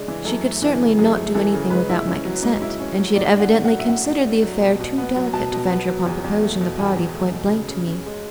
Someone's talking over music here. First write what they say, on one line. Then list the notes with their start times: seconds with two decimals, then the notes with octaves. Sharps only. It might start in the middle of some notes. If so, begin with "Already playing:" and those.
She could certainly not do anything without my consent, and she had evidently considered the affair too delicate to venture upon proposing the party point-blank to me.
Already playing: C#3 G#3 D4
0.08 E3
0.25 F#2 A4
0.43 A3
0.62 E3
0.80 C#3
0.98 F#2 G#4
1.16 A3
1.34 E3 A4
1.53 C#3
1.70 G#2 B4
1.89 E4
2.08 C#4
2.25 F#3
2.43 G#2
2.62 E4
2.80 C#4
2.98 F#3
3.16 A2 D5
3.34 D4
3.40 F#5
3.52 A3
3.65 F#5
3.71 F#3
3.79 E5
3.88 A2 F#5
4.06 D4
4.25 A3
4.43 F#3
4.61 B2
4.80 B2
4.98 B3
5.16 F#3
5.33 B2 A5
5.52 B2
5.70 B3
5.88 F#3
6.06 E2
6.24 E2
6.42 A3
6.61 B2
6.78 E2 G#5
6.97 E2
7.15 A3
7.33 B2
7.51 C#3
7.69 C#3
7.87 C#4
8.06 G#3